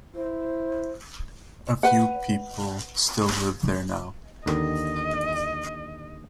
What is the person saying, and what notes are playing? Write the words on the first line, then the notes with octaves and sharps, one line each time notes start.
A few people still live there now.
E4 C5
B4 F#5
D#2 D3 D#3 D#5